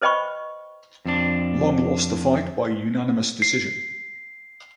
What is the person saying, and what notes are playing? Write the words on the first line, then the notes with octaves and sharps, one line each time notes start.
Long lost the fight by unanimous decision.
B4 C5 D#5 G5 B5 C#6
F2 D4
C7